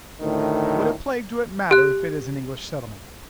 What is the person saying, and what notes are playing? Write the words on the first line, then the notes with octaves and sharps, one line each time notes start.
What a plague do it matter if it is an English settlement?
D2 A2 D#3
G4 F#6